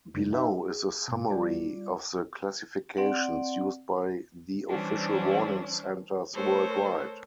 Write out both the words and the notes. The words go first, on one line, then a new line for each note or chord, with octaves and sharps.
Below is a summary of the classifications used by the official warning centres worldwide.
F#2 C#3 F#3 A#3 D4
D#4 B4 E5
G#4
G#2 B2
G3 F4 D5
C4 D5 F#5
E3 G3 C#4 D4 C5
A3 A4 A#4 C5 C#5